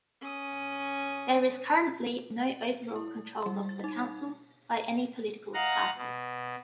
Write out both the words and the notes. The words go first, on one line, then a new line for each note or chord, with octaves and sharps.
There is currently no overall control of the council by any political party.
C#4 D#6
E4
G3
A6
D#4
D#5 F5 F#5 A#5
B2